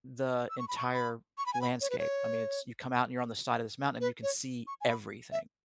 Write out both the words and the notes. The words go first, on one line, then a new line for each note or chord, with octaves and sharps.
the entire landscape, I mean, it's you come out and you're on the side of this mountain, and you can see everything,
E6
C#6
B5
C#6
B5
C#6
B5
G#5
B5
C#5
B4
C#5
B4
C#5
C#6
G#5
B5
E5